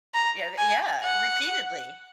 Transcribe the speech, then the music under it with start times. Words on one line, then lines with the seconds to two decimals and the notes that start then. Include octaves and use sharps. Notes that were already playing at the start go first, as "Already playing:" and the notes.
Yeah, th yeah, repeatedly.
0.14 A#5
0.58 G#5
1.03 F#5